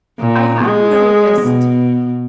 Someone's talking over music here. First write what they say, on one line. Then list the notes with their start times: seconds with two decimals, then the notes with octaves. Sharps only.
I have noticed
0.19 A#2
0.64 G#3
1.41 B2